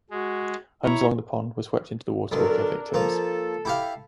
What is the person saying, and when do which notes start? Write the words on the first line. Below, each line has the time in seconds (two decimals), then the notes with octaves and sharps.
Homes along the pond were swept into the water with their victims.
0.10 G#3 F#4
0.84 E4 C#5 A#5
2.32 B1 D3 D4 A#4
2.94 F3 A#3 A4
3.65 E4 G4 F5